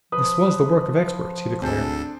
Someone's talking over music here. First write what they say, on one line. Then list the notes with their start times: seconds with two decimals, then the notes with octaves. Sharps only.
"This was the work of experts," he declared.
0.12 F3 B4 D#6
1.62 D2 C4 D4 G#4 A4 G6